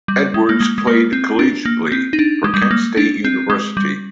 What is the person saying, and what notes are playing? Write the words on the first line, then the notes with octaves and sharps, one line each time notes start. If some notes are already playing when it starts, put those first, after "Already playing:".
Edwards played collegiately for Kent State University.
G3
G#3
A#3
G#3
G#3
A#3
C4
D4
A#3
C4
D#4
D4
G#3
G3
G#3
A#3
D4
C4
G#3
G3